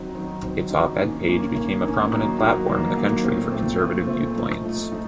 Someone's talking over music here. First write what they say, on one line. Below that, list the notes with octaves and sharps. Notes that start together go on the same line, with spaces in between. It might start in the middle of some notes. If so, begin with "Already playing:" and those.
Its op-ed page became a prominent platform in the country for conservative viewpoints.
Already playing: D#3 F#3 C4 D#4
D#3 F#3 C4 D#4
D#3 F#3 C4 D#4
D#3 F#3 C4 D#4
D#3 A#3 C#4
D#3 A#3 C#4
D#3 A#3 C#4
D#3 A#3 C#4
D#3 F#3 A#3 D#4
D#3 F#3 A#3 D#4
D#3 F#3 A#3 D#4
D#3 F#3 A#3 D#4
A#2 A3 C4
A#2 A3 C4
A#2 A3 C4
A#2 A3 C4
F3 A3 D#4
F3 A3 D#4
F3 A3 D#4